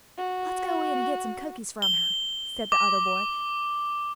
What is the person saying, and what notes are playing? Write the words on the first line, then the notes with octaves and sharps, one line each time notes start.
"Let's go in and get some cookies from her," said the other boy.
F#4
G7
D6